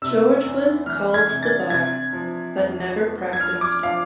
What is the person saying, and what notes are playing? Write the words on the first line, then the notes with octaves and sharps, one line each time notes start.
George was called to the Bar, but never practised.
C3 E6
E2
E3 F6
G#6
C3
A6
C3 G#6
F3
F2
B3
G#6
F3 F6
D6
F3 F5